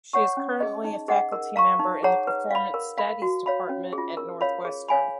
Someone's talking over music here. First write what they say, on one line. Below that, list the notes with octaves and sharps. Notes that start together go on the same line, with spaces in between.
She is currently a faculty member in the Performance Studies department at Northwestern.
C#5 F#5 C#6
C#4
G#4 D#5
D#4
G#4 D#5 F#5
A#4
F5 A#5 C#6
D#4
G#4 C#5 F#5 A#5
B4
F5 B5
A#4
F5 B5
F#4
C#5 F5 B5
C#4
G#4
F4
A#4
C#5 F5 B5
G#4
C#5 F5 G#5 B5